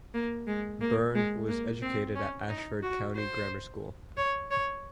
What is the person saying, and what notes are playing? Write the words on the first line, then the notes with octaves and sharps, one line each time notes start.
Byrne was educated at Ashford County Grammar School.
A#3
G#3
A#3
G#3
A#3
C4
C#4
D#4
F#4
C5
C#5
C#5